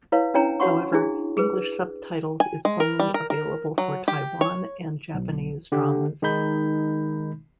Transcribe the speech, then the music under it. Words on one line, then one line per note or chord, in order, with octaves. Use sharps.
However, English subtitles is only available for Taiwan and Japanese dramas.
E4 B4 C#5 F5
C#4 D4 E4 C#5 G5 A#5
F#4 C#5 F#5 C6 C#6
D4 E4 G#4
G#4 B4
G#5
G#3
A#4
G3
A#4
A#4
F#3
G4
C#5
B1
D3 G4
D#3 G#3 D#4 B5 G6